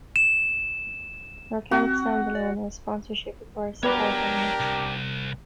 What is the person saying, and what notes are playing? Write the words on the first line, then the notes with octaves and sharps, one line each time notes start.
Nor can it stand alone, as sponsorship requires support elements.
E7
C4 F#4
D5
B3 D4 G4 A#4 B4 C#5 D5 A#5
C2